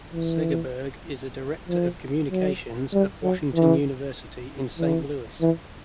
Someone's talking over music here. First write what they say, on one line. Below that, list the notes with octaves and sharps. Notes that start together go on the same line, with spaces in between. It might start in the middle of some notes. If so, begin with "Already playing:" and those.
Segerberg is a Director of Communications at Washington University in Saint Louis.
E3
F3
F#3
G3
F#3
E3
E3
E3